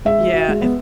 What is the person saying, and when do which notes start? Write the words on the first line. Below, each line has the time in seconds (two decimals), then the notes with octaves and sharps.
Yeah, if
0.05 G#3 E5
0.20 F#4
0.34 F#4
0.48 G#3
0.62 B3